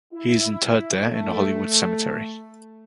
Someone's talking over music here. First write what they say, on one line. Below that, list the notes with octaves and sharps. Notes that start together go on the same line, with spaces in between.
He is interred there in the Hollywood Cemetery.
E4
A3